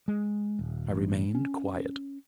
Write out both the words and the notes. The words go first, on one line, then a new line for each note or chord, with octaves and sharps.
I remained quiet.
G#3
D#1
A1
C#4